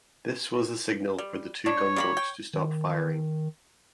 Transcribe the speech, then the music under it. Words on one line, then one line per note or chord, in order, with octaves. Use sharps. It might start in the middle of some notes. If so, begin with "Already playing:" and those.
This was the signal for the two gunboats to stop firing.
G3
D4 C#5
G3 A#3 B5
G5
D#3